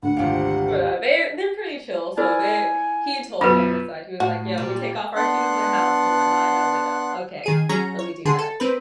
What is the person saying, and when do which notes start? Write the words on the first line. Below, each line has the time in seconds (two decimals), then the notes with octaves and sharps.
Well, they're they're pretty chill, so, they he told me on the side. He was like, "Yeah. We take off our shoes in the house and whatnot," and I was like, "Oh, okay. Let me do that,"
0.03 D2 F#5
0.17 G#1 C3 F3 G4 F5
2.17 E4 A#4 D5 G#5
3.41 F#2 B2 F4 B4
4.20 A2 F#4
4.58 A#2 G3
5.16 B3 D4 F#5 C6 F#6
7.44 D#3 G#4 D#7
7.69 F#3 C#4 G#4 C#5 A#5 A#6
7.99 C#5
8.25 D3 G#4 C6
8.39 A4
8.60 C4 A#4 B4